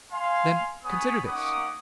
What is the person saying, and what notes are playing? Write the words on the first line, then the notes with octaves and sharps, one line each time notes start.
Then consider this.
F5 G#5 C6
B3 C#5 G#5 B5 D#6
A#3 C#4 D#4 F#5 D6 D#6